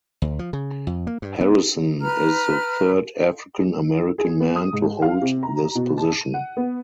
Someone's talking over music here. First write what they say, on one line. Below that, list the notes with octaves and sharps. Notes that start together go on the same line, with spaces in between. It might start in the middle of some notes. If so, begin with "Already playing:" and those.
Harrison is the third African American man to hold this position.
D2
F3
C#3
F2
A#3
G2
B3
B4 A#5 F6
G#4
B3
D#6
G#2
F5
C3
A#5
B2
A5
D#7
F#5
B3